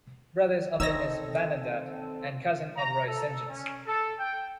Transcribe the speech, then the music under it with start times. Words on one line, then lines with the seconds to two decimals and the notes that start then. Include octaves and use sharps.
Brother of Dennis Vanendert and cousin of Roy Sentjens.
0.80 D#3 C4 D#4 A4 C#5 D#5 E6 A#6
2.77 A#5
3.07 A4
3.49 C#4
3.87 A4
4.20 G5